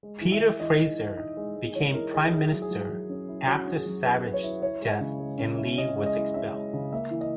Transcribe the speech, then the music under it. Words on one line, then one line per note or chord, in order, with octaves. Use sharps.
Peter Fraser became Prime Minister after Savage's death and Lee was expelled.
G#3
E3
E5
E3
E3 D#5
D#4
D#4
D#4
G#3
G#3
E3 C#5
E3 A#4
D#4 G#4
E4 G#4
F#3
G#4
F#3
F#3
C#4
E4
C#4 F#4
C#4
G#4
F#3
E4 B4
E4
C#5
E4
E4 C#5
G#3
C#3
G#3
C#4
E4
C#4 D#5
G#3
D#5
E4
C#4 E5
G#3
C#3
A#3 E5
E3
D#5